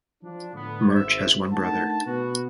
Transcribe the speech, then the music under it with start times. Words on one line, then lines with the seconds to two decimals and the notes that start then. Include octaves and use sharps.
March has one brother.
0.23 F3 D4
0.53 A2 D3 B3
0.92 G#1 C5 E5
1.53 A3 D4 D#4 A#4 F#5 A5
2.06 B2 B3 F#4